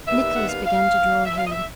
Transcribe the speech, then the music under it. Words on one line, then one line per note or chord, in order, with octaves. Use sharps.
Nicholas began to draw ahead.
D#2 D#3 G3 B3 E5
F#5
F5
F5
E5
F5
D#5
E5